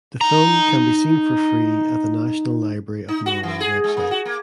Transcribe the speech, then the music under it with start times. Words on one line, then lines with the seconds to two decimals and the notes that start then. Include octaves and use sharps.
The film can be seen for free at the National Library of Norway website.
0.21 D#4 A#5
3.08 D#4
3.26 F#4
3.43 E3
3.60 G#4
3.84 G#3
3.97 A#3
4.11 F#4
4.25 A#3